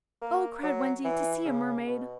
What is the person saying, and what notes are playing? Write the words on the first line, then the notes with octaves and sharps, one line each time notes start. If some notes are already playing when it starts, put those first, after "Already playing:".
"Oh," cried Wendy, "to see a mermaid!"
A#3
F#3
E3
C#3
B2